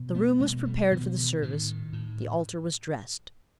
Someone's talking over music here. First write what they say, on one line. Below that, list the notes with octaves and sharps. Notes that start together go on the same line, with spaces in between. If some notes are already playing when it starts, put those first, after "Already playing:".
The room was prepared for the service; the altar was dressed.
Already playing: B2
A3 B3
B2 G#3 A#3
G3 A3
B2 D#3 F3
D3 E3
A2 D#3
A2